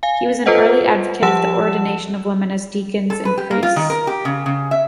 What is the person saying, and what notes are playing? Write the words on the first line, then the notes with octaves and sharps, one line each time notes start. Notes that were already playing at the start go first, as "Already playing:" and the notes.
He was an early advocate of the ordination of women as deacons and priests.
F5 G#5
F4 A4 B4 C5 D#5 F#5
F3 G4 F#5 A5 E6 E7
A4
B4
G4
A#3
F4
D#3
A#4
G4
C#3
C#3
E5